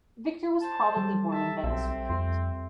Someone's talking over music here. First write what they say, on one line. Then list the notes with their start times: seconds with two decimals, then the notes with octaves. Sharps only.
Victor was probably born in Venice or Crete.
0.61 C5 A5
0.96 G3 A4
1.31 E5 A5
1.64 B1 C4 E5
2.09 F2 C6